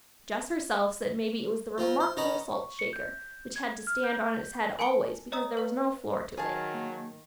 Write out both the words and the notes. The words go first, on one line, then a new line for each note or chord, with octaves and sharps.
Jess herself said maybe it was the remarkable salt shaker which had to stand on its head always, because there was no floor to it.
F3 C4 F4
C5
D#3 C#4 B4 D#5 A#5 B5
C#6
C#7
G6
G#6
F6
G6
A#4 G#5 A5 C#7 D7 G7
C#5 D#5 A#5 D#6 E6
B4 F5
D#3 F#3 G#4 F5 A5
A#3